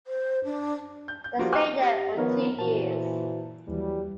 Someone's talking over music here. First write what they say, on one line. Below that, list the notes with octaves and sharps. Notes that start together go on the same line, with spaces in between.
They stayed there for two years.
C5
D4
G6
G6
F3 G3 A#3 F4 F#4
C5 G5 G#5 D6 F6 F#6
G4 A#6
D#3 F3 B3 D#4 A#4 C#5
A#2 E3 F#4 C5 A5
D#2 E3 F#3 G3